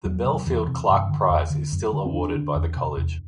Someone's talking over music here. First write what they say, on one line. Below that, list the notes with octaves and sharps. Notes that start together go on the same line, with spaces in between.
The Belfield Clarke Prize is still awarded by the college.
E2 F#3
C3
E2 E3
C3
G2
D3
E2
D3
F#2
D3
C4
E2 D4
D3
E2
C3
E2